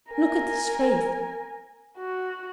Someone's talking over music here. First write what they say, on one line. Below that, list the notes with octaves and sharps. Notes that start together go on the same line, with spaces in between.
Look at his face.
A#4 G#5
F#4